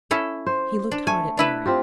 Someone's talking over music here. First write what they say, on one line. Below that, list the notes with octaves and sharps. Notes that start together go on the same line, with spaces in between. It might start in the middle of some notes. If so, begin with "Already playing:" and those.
He looked hard at Mary.
C#4 E4 A4
C5
D4
A3 G#5
D4 E4 B4
C4 F4 G4